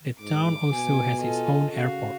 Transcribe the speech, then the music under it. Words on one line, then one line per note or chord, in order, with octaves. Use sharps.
The town also has its own airport.
G#2 D6
B2 G#5
F4 A4 D#5
C#3 F#4 F5